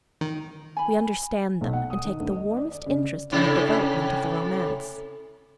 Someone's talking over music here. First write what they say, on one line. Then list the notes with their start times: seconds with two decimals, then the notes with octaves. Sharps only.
We understand them, and take the warmest interest in the development of the romance.
0.21 D#3
0.77 G#5 B5
1.61 B1
1.73 F#5
1.90 D#6
2.05 D#3
2.20 D2
2.36 D#5
2.57 D5
2.72 D5
2.86 C#3
3.32 A2 C3 E4